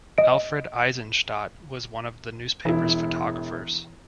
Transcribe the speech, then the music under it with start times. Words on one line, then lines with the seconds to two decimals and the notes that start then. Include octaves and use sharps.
Alfred Eisenstaedt was one of the newspaper's photographers.
0.18 D#5 D7
2.65 E1 E3 E4